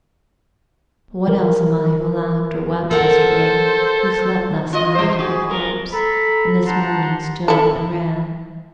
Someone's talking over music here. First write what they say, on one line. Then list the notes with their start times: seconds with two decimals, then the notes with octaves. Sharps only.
What else am I who laughed or wept yesterday, who slept last night like a corpse, and this morning stood and ran?
1.28 F3 A#4
2.91 A4 A#4 C5 F#5
4.73 F4 D#5
4.95 G3 C5
5.19 F#4 G#4
5.50 B3 A#4
5.93 A4 A#5 B5
6.67 D4 G4 F#5 A5 A#5 C6
7.48 E4 A4